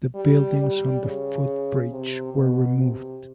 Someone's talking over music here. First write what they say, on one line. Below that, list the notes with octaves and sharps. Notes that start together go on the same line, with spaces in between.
The buildings on the footbridge were removed.
G3
G3
C#3
C3
B2
C3